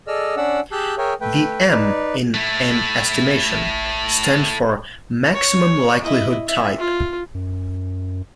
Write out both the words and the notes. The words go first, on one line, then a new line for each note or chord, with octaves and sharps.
The M in M-estimation stands for "maximum likelihood type".
G#4 A4 D5 D#5 E6 F6
C#4 D4 D5 F#5 E6
G4 G#4 A5 E6 F#6 G6
G#4 A#4 C#5 E5 G5 G#5
A3 B4 G5
D#4 B4 D5
A3 E4
C#5
E4 D#5
E5
F4
F#2